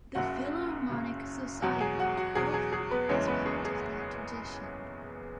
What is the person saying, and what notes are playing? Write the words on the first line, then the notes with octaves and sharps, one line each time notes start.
The Philharmonic Society of Corfu is part of that tradition.
F#1 F#2 C#3 F#4 F#5
F#1 F#2 C#3
E2 B2 F#3 F#4 F#5
G#4 G#5
F#4 F#5
F#4
E2 B2 F#3 G#4
G#4
G#4
B3 B4
F#1 E2 E3 G#3 C#4 C#5
B3 B4
G#4
G#4